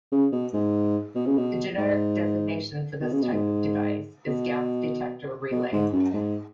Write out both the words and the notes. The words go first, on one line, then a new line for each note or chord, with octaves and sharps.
A generic designation for this type of device is "gas detector relay".
C#3
B2
G#2
B2
C#3
B2
G#2
B2
C#3
B2
G#2
B2
B2
G#2
F#2
G#2